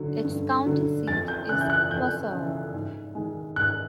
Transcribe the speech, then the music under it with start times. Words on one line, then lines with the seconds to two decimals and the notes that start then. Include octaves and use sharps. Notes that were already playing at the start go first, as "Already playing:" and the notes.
Its county seat is Wausau.
Already playing: D3 F#3
0.24 G2
0.66 D3 F#3
1.08 F2 A6
1.28 G6
1.49 C#3 E3 F#6
1.61 G6
1.70 F#6
1.91 F2 G6
2.32 C#3 E3
2.73 G#2
3.15 D#3 G#3
3.56 G#2 F#6